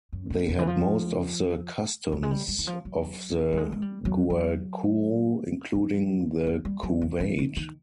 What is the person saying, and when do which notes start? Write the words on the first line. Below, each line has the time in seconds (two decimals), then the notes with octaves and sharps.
They had most of the customs of the Guaycuru, including the couvade.
0.13 F#2
0.30 A#2
0.48 B2
0.59 E3
0.67 F3
2.12 F#3
2.23 G#3
2.31 G3
2.48 G3
2.59 E3
2.67 F3
2.85 F#3
3.53 G3
3.57 G#3
3.72 G#3
3.82 G3
4.05 F#3
4.30 F#3
5.75 F3
6.47 F3
6.65 G3
6.83 F#3
7.02 F3
7.20 E3
7.38 D#3
7.57 D#3